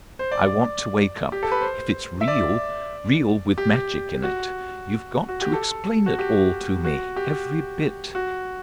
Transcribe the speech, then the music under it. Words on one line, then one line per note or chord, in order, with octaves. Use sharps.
I want to wake up. If it's real--real, with magic in it--you've got to explain it all to me--every bit.
C5
D5
G4
A4
B4
C5
E5
D5
G4
F#4
F#4
G4
A4
F#4
G4
F#4
G4
F#4